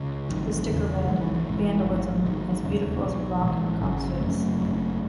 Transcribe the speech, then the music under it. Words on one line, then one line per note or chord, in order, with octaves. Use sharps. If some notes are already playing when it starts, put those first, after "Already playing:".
The sticker read: "Vandalism: As beautiful as a rock in a cop's face".
Already playing: C#2 C#3
A1 A2 D#3 F#3
E1 E2 C#3
B1 B2 E3 G#3
E3
E3
G#1 G#2
A1 G#2
A1 G#2 D#3 F#3
E1 D#2 C#3
B1 B2
A1 A2 E3 G#3
G#1 F#2 C#3
F#1 F#2 C#3 F#3 A3
G#1 F#2 C#3